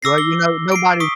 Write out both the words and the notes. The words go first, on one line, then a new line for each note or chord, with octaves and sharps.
Well, you know, nobody
D6 E6 A#6 C7
G7
C7 D7
C#6 D#6 B6